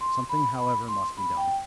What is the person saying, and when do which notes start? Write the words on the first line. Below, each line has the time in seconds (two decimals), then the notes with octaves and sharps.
Something, however, must be done.
0.01 C6
0.29 B5
0.59 B5
0.88 C6
1.18 B5
1.37 G5